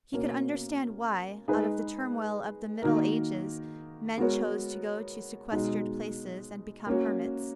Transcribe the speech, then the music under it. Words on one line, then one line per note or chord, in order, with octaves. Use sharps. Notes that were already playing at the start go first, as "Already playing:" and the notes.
He could understand why, out of the turmoil of the Middle Ages, men chose to go to sequestered places and become hermits.
B2 A#3 C#4
G#3 D#4 G#4 B4
D#3 A#3 D#4 F#4 A#4
G#3 B3 F#4 A#4 C#5
B2 G#3 D#4
A#3 C#4 F#4